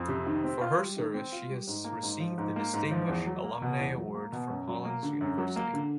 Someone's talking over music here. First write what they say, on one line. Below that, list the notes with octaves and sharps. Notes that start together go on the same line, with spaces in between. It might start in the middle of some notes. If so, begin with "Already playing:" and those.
For her service she has received the Distinguished Alumnae Award from Hollins University.
Already playing: F2
C3
D#3
C4
F4
G3
D#3
C4
F4
G3
G#2
A#3
G#2
F3
G#2
A#3
G#2
F3
E2
F#3
A#3
B2
E2
F#3
A#3
B2
F#2
F#3
A#3
D3
F#2
F#3
A#3
D3